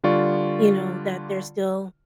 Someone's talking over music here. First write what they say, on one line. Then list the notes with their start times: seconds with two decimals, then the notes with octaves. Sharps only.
you know, that they're still
0.04 D3 G3 F4 D5 C#6